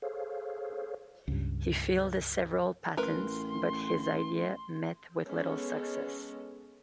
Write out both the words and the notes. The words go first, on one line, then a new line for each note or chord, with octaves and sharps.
He filed several patents but his ideas met with little success.
G#4 A4 C5 C#5 F5
C#2 G2
A1 A#4 B4 C6
G#3 B3 C#4 A4